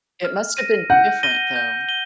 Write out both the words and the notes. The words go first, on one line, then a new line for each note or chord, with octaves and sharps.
It must have been different, though.
F6
A#6 D#7
F#5 G6
A#6 D#7 G7
G6
A#6 D#7 G7